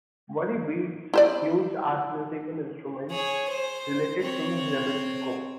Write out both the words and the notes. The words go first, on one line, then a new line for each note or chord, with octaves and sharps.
Worry beads used as musical instrument, related to rebetiko.
E4 C5 D5
G#4 C#5
C5
C4 C#5